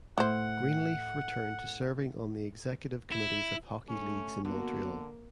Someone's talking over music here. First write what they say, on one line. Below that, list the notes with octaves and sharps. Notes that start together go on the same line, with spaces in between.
Greenleaf returned to serving on the executive committees of hockey leagues in Montreal.
A2 E4 C5 F#5
E4
A3 C#4
D3 A#3 B3 F#4